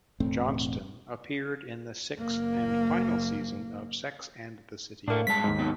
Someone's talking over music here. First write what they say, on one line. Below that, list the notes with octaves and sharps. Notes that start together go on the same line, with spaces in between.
Johnston appeared in the sixth and final season of "Sex and the City".
E1 A2 A3 C4
F#1 A#3
A2 A3 A#3 D4
G2 G#3 A5 B6
D#2 G#2
B3 D#4